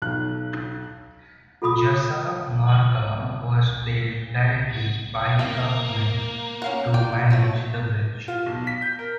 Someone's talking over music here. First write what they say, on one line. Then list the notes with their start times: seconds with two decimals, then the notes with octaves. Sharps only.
Jasa Marga was paid directly by the government to manage the bridge.
0.02 B1 F#6
1.62 F4 A4 B5 D#6
5.39 A#3 E5 F5
6.62 C#4 F5 F#5
6.94 F3 D5 G5
7.31 F3 F#3 A3
8.28 F4
8.46 B1
8.67 B6
8.82 G6
8.99 A#4